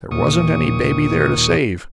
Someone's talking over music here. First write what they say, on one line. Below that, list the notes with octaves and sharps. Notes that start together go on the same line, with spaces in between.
There wasn't any baby there to save.
D#2 A#2 C#6 D#6